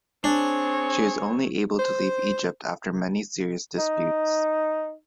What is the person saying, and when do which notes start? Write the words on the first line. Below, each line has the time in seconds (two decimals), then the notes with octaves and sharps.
She was only able to leave Egypt after many serious disputes.
0.24 C4 D4 G#4 C#5
1.79 C5
3.78 D#4